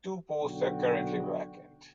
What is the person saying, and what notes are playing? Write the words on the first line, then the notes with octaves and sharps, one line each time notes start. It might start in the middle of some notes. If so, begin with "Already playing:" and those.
Two posts are currently vacant.
B1 D3 F#4 G5